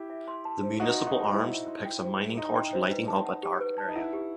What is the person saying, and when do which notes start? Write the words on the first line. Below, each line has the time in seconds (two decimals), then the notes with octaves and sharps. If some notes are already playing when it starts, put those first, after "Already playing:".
The municipal arms depicts a mining torch lighting up a dark area.
Already playing: E4 G4
0.10 E5
0.28 C6
0.45 A5
0.63 C5
0.80 D#4 F#4 E5
0.98 C6
1.07 D#4 F#4
1.15 G5
1.33 E4 C5
1.50 E5
1.68 C6
1.85 G5
2.03 C5
2.21 E5
2.37 D#4 C6
2.55 G5
2.73 C5
2.91 B4
3.08 A5
3.25 F#5
3.43 G4
3.61 B4
3.78 A5
3.88 D#4
3.96 E4 F#5
4.13 G4